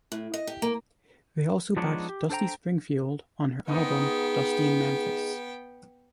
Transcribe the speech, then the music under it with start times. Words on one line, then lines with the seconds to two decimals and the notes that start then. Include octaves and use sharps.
They also backed Dusty Springfield on her album "Dusty in Memphis".
0.12 A2
0.34 D#5
0.47 G4
0.62 A#3
1.77 F3 G#3 B3 D4 D#4 C#5
2.09 G4
2.30 D4 A4 C5 G5 A#5
3.68 G#2 B3 D#4 G5